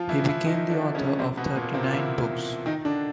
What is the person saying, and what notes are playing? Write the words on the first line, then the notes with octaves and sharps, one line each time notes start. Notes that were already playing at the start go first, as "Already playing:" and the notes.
He became the author of thirty-nine books.
Already playing: F3 F4
E3 E4
E3 E4
D#3 D#4
D3 D4
C#3 C#4
C3 C4
B2 B3
A#2 A#3
C3 C4
F4
E3 E4
D#3 D#4
D3 D4